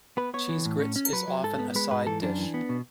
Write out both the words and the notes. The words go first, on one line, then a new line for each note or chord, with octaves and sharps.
Cheese grits is often a side dish.
B3 B4
B3 C#5
E3
A2
C#4
C#4
F#3 B4
F#3
G#2 A4
B3
G#3 B4
G#2 B4
E3 A4
F#2 D4
E3
B3
B2